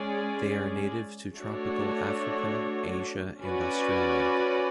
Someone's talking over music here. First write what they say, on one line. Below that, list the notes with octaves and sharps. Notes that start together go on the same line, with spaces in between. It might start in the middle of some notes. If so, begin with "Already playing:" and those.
They are native to tropical Africa, Asia and Australia.
Already playing: G#3 C#4 G#4 D5
A3 D4 F#4 C#5
C#4 F#4 B4 D5